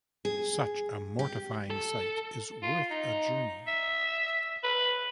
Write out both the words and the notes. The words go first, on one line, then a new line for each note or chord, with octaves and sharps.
Such a mortifying sight is worth a journey.
G#4
G4
A4
F4
D#4
E5
B4